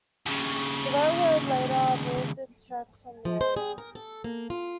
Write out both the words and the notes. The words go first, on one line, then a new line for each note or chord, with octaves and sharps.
The railroad later removed its tracks from the area.
D#2 C#3
F3
C5
G#4
A#4
A4
A#3
F4